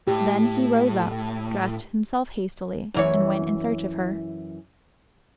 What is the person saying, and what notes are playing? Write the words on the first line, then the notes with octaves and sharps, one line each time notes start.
Then he rose up, dressed himself hastily, and went in search of her.
A2 G4
F#2 E3 C#5